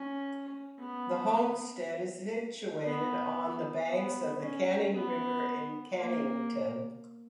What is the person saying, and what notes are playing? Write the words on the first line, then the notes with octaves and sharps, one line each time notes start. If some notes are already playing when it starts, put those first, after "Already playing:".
The homestead is situated on the banks of the Canning River in Cannington.
Already playing: C#4
B3
B3
B3
C#4
B3
A#3